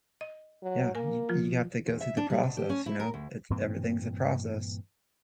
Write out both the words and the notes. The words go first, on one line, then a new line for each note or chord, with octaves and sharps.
yeah, you you have to go through the process, you know? It's everything's a process.
D#5
F#3
A#3 A#4 G#5
F3 F4
E2
E5
D4
G3
B2
G4
C#4
E4
A#4
D2
G2 A#2 E3 C4